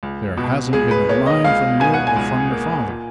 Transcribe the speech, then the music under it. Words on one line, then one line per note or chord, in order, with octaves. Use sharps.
There hasn't been a line from you or from your father.
C#2
B2
C#2 G#4
B4
A#3 C#5
D#5
C#2 F5
B2 G#5
F#5
G#5
C#2
A#3
A#2